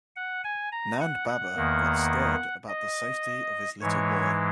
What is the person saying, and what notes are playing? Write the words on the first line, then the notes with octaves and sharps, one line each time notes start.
Nand baba got scared about the safety of his little boy.
F#5
G#5
A#5
F#5
F#5
E2 D#3 A#3
D#5
G#2 E3 G#3 C#5